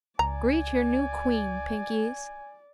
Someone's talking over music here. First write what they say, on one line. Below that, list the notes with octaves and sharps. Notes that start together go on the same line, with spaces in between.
"Greet your new Queen, Pinkies!"
C#2 D5 G#5 A#5